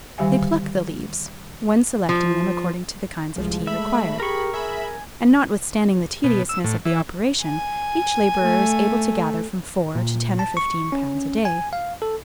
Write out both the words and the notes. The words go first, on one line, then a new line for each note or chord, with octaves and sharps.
They pluck the leaves, one selecting them according to the kinds of tea required; and, notwithstanding the tediousness of the operation, each labourer is able to gather from four to ten or fifteen pounds a day.
D3 D#3 G3 G4 F5 G#5
F3
C2 F3 G#3
A3 E5 B5
G4 G#4 A#4 C#6
G#4 E5 G#5 B5
B2
E6
A2
E3
G#5
A3
A#2
A5
C#6
C#4
G#5
F5
A4